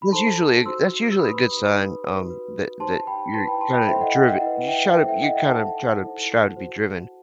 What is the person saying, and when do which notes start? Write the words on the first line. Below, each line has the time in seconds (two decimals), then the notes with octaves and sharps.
that's usually that's usually a good sign, um, that that you're kinda drive you're try to you're kinda trying to trying to be driven,
0.02 B5
0.12 D#4 A4 C5 A5 C6
0.66 F#4 C5 C6 E6
1.11 E6
1.19 D#4 G4 B4 B5 D#6
1.73 D#4 G4 B4
2.27 F#4 B4
2.80 D#4 G4 C5 A5 C6
3.07 G5 B5
3.34 E4 B4 A5 C6
3.47 G5 B5
3.61 A5 C6
3.74 G5 B5
3.88 E4 A4 C5 E5 G5
4.01 D#5 F#5
4.14 D#5 F#5
4.28 E5 G5
4.41 E4 B4 D#5 F#5
4.68 E5 G5
4.95 E4 A4 C5 E5 G5
5.08 E5 G5
5.21 D#5 F#5
5.36 E5 G5
5.48 D#4 A4 C5 F#5 A5
6.02 E4 A4 C5
6.56 F#4 C5